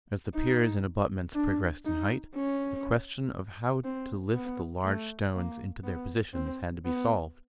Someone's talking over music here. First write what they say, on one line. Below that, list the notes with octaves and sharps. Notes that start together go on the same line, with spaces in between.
As the piers and abutments progressed in height, the question of how to lift the large stones into their positions had to be solved.
D#4
D4
D#4
C#4
C4
B3
A3
A#3
B3
C4
B3